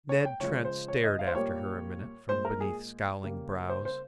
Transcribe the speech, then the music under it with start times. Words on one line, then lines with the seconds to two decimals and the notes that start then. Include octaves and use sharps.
Ned Trent stared after her a minute from beneath scowling brows.
0.09 C#5
0.25 G5
0.40 C#3 F3 G#3 C#5
0.65 C5
0.88 C#5
1.04 D#5
1.19 F5
1.27 C5
1.35 A#2 G3 A#3 C#5
2.29 A#2 G#3 C5
2.45 A#4
2.61 G#4
3.23 C#3 G3 A#3
3.69 C5
3.85 C5